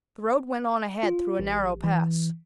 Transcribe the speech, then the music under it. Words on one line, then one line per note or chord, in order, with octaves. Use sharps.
The road went on ahead through a narrow pass.
F4
A1
E3